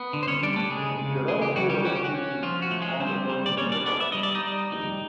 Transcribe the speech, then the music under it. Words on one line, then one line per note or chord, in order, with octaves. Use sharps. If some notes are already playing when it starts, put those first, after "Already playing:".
There are a few other species found across the Americas.
Already playing: B3
D3
C5
C#4 C#5
G3 D4 D5
A3 A4
C#3 G#3 G#4
C#3
E3 G#4
G4
C#3 F#4
G3 G4
C#4 F#4
G4
F#4
C#4
F3 F4
F#4
A3
G#3 G#4
G3 C4 C5
G3
D5
G3 C#4 C#5
D4 D5
B3 D4 D5
E5
G3 D#5
D5
D#4 D#5
G3
D#4